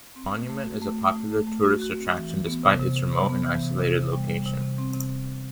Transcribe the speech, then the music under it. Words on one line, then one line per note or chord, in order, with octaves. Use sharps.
The monument is a popular tourist attraction despite its remote and isolated location.
C4
A3
A3
F#4
A3
A3
A3
A3
A3
F#4
F#4
C4
E3
E3
B3
C3
C3
C3
C3
B3
E3
C3
C3
C3
G3
G3
C3
C3
C4
C3